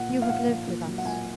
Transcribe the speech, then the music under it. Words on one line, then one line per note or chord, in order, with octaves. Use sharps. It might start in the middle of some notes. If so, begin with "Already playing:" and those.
You have lived with us.
Already playing: A#2 F#5
F3
F5
A#2 F#5
F3
A#2
F#3
F#5
A#2 G#5